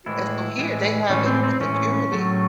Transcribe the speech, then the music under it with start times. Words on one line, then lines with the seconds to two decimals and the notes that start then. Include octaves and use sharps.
Yeah, so here, they have it, the security.
0.06 A2 E3 G#3 E4
0.58 A2 E3 G#3
1.09 A2 E3 G#3 C#4
1.26 C4
1.43 C4
1.60 A2 E3 G#3 C#4
2.12 A2 F#3 A3